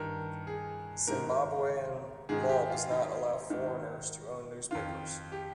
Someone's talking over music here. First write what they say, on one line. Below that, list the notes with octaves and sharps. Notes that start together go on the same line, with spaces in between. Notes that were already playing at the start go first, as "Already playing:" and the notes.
Zimbabwean law does not allow foreigners to own newspapers.
Already playing: G2 D#3 A#4
G#4
G#2 D#3 A#4
G#2 D#3 G#4
G4
F4
D#4
G#2 D#3
F2 D#3 F4
G4